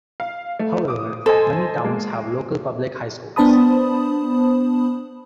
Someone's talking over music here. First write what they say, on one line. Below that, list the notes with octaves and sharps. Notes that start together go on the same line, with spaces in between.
However, many towns have local public high schools.
F5
A3
D6 D#6
A4 C5 D#5 G#5
G#3 A#3
B3 D4 C5 A5 B5 D#6